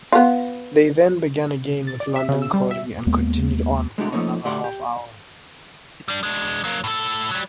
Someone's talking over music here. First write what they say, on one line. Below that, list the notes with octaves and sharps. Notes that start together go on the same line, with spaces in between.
They then began again with "London Calling" and continued on for another half-hour.
B3 F4
A6
D5
E5
C#3
E6
G3
E5
D#2 G#3 A#3 B3
G#3 A3 D4 E4 F#4 G4
F3 A3 A#3 C#4 D#4
D2 A3 G4 D5 F#5 C6
G4
G3 D4
G#3 D4
F#3 A#3
A2 A4
F#3 G3